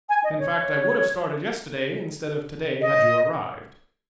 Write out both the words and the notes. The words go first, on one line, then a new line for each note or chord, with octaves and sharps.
In fact, I would have started yesterday instead of to-day, had you arrived.
G#5
D#5
C#5
D#5